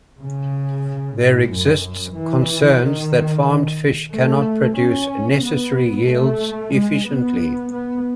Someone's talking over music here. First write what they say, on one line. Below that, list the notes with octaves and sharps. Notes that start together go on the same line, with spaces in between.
There exists concerns that farmed fish cannot produce necessary yields efficiently.
C#3
A2
F#2
E3
D#3
A3
C#4
B3
A3
G#3
B3
B3